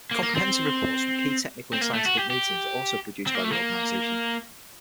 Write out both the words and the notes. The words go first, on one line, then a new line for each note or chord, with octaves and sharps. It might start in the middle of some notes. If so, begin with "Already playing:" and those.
Comprehensive reports from key technical and scientific meetings are also produced by the organisation.
A#3
A#3
C4
C4
A#3
A3
F#4
G4
G4
C4
A#3
A3
A#3